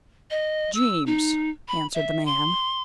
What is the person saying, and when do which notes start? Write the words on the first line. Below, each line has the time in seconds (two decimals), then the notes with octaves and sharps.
"Geemes," answered the man.
0.31 D#5
0.74 E6
1.06 D#4
1.68 B5
1.94 E5
2.26 C6